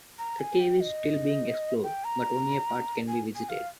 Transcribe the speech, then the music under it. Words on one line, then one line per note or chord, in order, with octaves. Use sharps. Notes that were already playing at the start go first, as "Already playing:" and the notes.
The cave is still being explored, but only a part can be visited.
A#5
G#5
G5
D#5
G5
A#5
G#5
G#5
F5